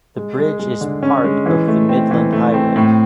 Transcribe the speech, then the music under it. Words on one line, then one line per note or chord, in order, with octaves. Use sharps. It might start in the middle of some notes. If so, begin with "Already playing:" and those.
The bridge is part of the Midland Highway.
G#3
G#3
G#3
D3
C#4
G#3
E3
A3
C4
E3
A3
C4
A2